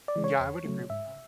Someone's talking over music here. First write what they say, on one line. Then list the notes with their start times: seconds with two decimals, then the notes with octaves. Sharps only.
Yeah, I would agree with that.
0.08 D5
0.16 E3 G#3
0.24 C#5
0.40 E2
0.65 C#3 F#3 A3
0.90 G#2 E5